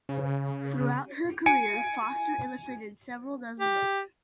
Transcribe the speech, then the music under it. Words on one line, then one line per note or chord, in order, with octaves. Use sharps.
Throughout her career Foster illustrated several dozen books.
C#3
G#5 C#7 D7
G4